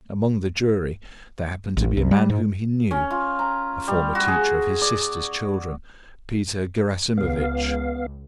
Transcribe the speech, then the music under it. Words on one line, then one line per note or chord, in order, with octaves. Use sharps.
Among the jury there happened to be a man whom he knew, a former teacher of his sister's children, Peter Gerasimovitch.
A1
C2
G3
G#2
C#4
F4
A#5
G3
F#4
G#4
D5
C#2 B3 F5